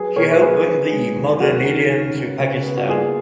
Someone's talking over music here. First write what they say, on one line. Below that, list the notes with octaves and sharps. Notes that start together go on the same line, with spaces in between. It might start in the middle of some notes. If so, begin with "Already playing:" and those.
She helped bring the modern idiom to Pakistan.
Already playing: F#3 G#4 B4
B2 A#4 C#5
F#3 G#4 B4
C#4
G#3
D#2
F#3 F#4 A#4
D#3
C#4
C#3
C#3
B3
F#4
A#3 F4 G#4